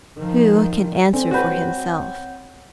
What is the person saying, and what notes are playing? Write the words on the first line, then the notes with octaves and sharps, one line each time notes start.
Who can answer for himself?
D#3 F3
C4 A4 D5 G#5
F#4 B4 C#5 F#5 G6